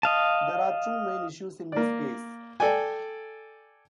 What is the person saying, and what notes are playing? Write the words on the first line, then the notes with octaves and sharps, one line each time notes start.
There are two main issues in this case.
D#5 F5 A5
A#3 D5
A4 D5 G5 G#5